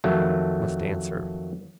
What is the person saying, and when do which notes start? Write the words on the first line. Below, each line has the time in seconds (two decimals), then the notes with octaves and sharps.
Must answer.
0.04 F2 D#3 F#3 A3